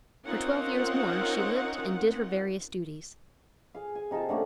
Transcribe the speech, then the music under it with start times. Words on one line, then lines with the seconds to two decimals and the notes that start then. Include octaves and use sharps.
For twelve years more she lived and did her various duties.
0.24 C4 C#4 D#4 F4 A#4 F#5
3.75 G#4 F5
3.95 G#5
4.11 C3 D#4 F4 A5
4.29 D3 A3 A#3 C#4